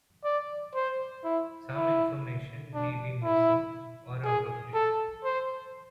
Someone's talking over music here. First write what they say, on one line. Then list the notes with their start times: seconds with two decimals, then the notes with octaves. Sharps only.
Some information may be missing, or out of date.
0.24 D5
0.75 C5
1.24 E4
1.75 E4
2.74 D4
3.24 E4
4.24 G#4
4.74 A4
5.24 C5